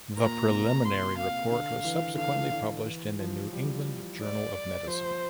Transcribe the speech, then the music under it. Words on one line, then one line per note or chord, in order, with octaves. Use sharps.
The preliminary report was subsequently published in "The New England Journal of Medicine".
A#2 A#5
A#2
C3
C6
F5
D3 F5
E3
D3 F5
D3
E3
F3
G3
D5
F3 C5